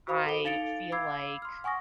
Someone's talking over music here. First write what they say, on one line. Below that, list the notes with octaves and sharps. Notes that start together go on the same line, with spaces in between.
"I feel like
F#4 C5 F5 B5 D#6
A4 G7
D#4 F5 A6 C#7 D7 F7
F5 B5 D6 E6 G#6 C7
C6 F6
F#5 G#5 C#6 D#6 A#6